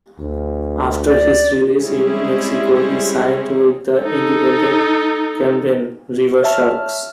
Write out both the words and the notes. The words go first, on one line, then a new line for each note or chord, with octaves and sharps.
After his release in Mexico he signed with the Independent Camden Riversharks.
D2
D5
G3 G#3 C4 C#4 E4 G#4
D#4 A4
C#5 E5 A5 F6